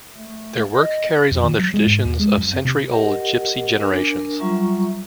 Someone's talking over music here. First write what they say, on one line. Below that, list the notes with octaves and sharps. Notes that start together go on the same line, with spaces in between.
Their work carries on the traditions of century old gipsy generations.
A3
D#5
F2
D#3
F#3
G#3
G#2
D#2
G#3
F#2
C4
C3
G4 A#4 D#5 F#5
D4 A#4 G#5
F#3 G3 F4 E5 A#5 C#6